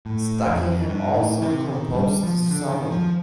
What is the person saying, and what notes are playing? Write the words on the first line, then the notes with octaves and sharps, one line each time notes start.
Stuckey had also composed the song.
A2
F2
G2
A2
C3
D#3
G3
F3
D3
D#3
F3